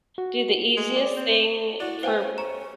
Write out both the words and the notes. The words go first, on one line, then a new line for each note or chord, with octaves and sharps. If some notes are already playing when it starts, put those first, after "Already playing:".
do the easiest thing for
F#4
G#3
D5
C4
E4 F#4 D5
B3 C5 F5 G5 G#5
C#4 B4
C5 A#5 C#6